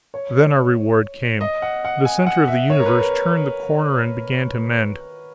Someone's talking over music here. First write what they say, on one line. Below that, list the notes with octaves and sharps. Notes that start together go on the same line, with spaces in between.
Then our reward came: the center of the universe turned the corner and began to mend.
C#5
D#5
F#5
F#5
G#5
F#5
E5
C#5
A#4
B4
A#4